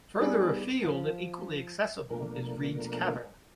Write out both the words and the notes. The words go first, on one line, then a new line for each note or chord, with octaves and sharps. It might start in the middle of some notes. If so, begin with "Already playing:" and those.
Further afield and equally accessible is Read's Cavern.
G3 B3 D#4 G#4 D5
F3
B2 F3 A3 A#3 D4 A#4